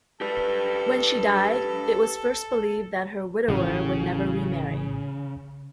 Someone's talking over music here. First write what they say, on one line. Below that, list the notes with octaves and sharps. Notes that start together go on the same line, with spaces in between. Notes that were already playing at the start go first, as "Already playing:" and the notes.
When she died, it was first believed that her widower would never remarry.
G4 A4 B4
A1 C#3